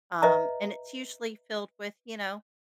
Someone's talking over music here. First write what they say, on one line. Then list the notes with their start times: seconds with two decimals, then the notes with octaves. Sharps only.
um, and it's usually filled with, you know,
0.22 B4 D#5 E5 A#5